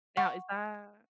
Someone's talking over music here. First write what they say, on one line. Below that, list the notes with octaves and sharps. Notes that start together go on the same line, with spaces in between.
Now, is that
F#5 C#6